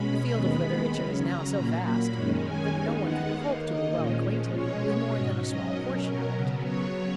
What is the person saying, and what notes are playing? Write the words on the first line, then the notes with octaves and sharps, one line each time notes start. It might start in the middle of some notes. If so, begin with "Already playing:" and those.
The field of literature is now so vast that no one can hope to be well acquainted with more than a small portion of it.
Already playing: B2 G#3 C#4 B5
D#2 D#3 G#3 B3 B5
C#3 F#3 C#4 B5
A#5
A#2 F#3 A#3 B5
B5
F#2 D#3 G#3 C#4
G#5
D#2 D#3 G#3 B3 D#4
F#5
D#2 D#3 A#3 D#4 F5
D#5
A#2 F3 G#3 C#4
B2 G#3 C#4 C#5
G#2 F#3 C#4 D#5
D#5
B2 F#3 C#4 A#4
A#4
C#3 F#3 B3
C#5